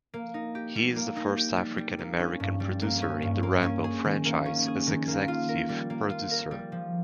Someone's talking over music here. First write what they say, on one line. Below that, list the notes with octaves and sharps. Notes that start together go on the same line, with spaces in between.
He is the first African American producer in the Rambo franchise as executive producer.
A#3
D#4
G4
G3
A#3
D#4
G4
G3
G3
A#3
C#4
G2
G3
A#3
C#4
G2
A#3
C#4
G#4
D#3
A#3
C#4
G#4
D#3
A#3
F4
A#4
G3
A#3
F4
A#4
G3
F3